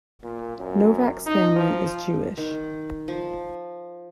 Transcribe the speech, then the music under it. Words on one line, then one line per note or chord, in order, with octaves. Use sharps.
Novak's family is Jewish.
A#2
F#2
D#4
F3
D#3
F3